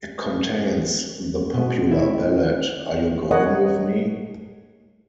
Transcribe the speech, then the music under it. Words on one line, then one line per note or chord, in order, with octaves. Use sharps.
It contains the popular ballad "Are You Going With Me?".
B2
E4
A#4 C#5 D#5 F#5